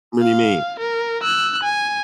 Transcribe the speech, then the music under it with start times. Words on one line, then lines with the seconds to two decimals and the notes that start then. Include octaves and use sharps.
What do you mean?
0.22 F5
0.79 A#4
1.23 E6 F#6
1.63 G#5